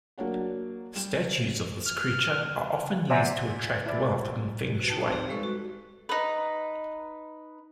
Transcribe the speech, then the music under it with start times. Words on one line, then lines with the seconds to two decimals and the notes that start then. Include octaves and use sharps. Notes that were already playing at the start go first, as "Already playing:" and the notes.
Statues of this creature are often used to attract wealth in feng shui.
0.18 F#3 A#3 D4 C#5 F#5
0.96 G3 E7
1.86 F6
3.10 C5 D5 E5 F#5 G#5 A#5
3.86 E4 D5
4.74 F#4 B4
4.89 D#4 G5 A5
5.01 C4 D#4 C5 C6 D6
5.12 G4
5.29 G3 G#3 A4 B4 C#6
5.43 F#4
6.09 D#4 B4